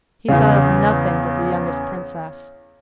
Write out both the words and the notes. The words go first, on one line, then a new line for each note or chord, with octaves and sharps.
He thought of nothing but the youngest Princess.
E2 C#3